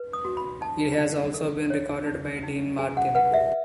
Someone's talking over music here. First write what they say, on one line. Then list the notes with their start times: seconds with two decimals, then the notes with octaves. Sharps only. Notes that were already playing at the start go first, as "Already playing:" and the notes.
It has also been recorded by Dean Martin.
Already playing: B4
0.13 D#6
0.25 F#4
0.37 B5
0.61 D#4 A5
0.98 D#4
1.34 A4
1.70 C#5
2.07 D#4
2.43 D#4
2.79 G#4 G#5
2.97 F#5
3.15 B4 F#5
3.34 E5